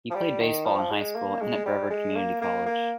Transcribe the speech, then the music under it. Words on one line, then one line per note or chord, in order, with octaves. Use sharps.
He played baseball in high school and at Brevard Community College.
F3
G3
D#3
F3
G#3
A#3
G#3
G3
G#3
A#3
A#3
A#3